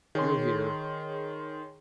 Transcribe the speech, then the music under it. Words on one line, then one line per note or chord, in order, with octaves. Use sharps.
You're here!
D#3 G#4 C#5 C6